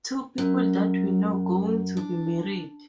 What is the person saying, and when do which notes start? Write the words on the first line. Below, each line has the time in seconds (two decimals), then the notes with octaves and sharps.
Two people that we know going to be married.
0.38 F#2
1.97 D4